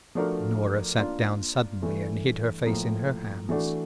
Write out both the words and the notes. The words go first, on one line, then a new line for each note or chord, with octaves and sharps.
Norah sat down suddenly, and hid her face in her hands.
F3 A3 D4 F#4 A#4
A#3 D4 F4
G2 E3 A3
A2 F3 A#3
E3 A3 D4 F#4